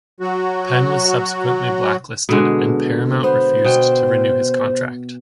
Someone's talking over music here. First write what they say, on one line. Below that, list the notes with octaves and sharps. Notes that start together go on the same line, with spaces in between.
Penn was subsequently blacklisted, and Paramount refused to renew his contract.
F#3 F#4
B2 D3 G#3
B3 C5
B2 G5